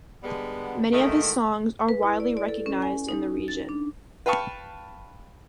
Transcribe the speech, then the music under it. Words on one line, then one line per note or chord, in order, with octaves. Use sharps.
Many of his songs are widely recognized in the region.
D3 G3 G#3 B3
G#2 B2 D#3 E3 A3
B4
E4
D5
D5
A4
C#4
G#5
D#4
A6
D4
B4 F5 G5 A5 C#6